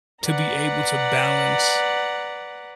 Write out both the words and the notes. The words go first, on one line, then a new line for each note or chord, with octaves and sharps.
to be able to balance
B4 D5 F#5 A#5